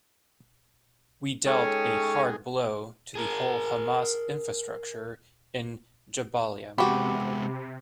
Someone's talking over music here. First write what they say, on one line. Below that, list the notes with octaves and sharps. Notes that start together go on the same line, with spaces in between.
We dealt a hard blow to the whole Hamas infrastructure in Jabalia.
G#3 C#4 D#4 G#4 A4 C#5 G5
G#4 A#4
C3 G#3 B3 F#4 G4 B5 D6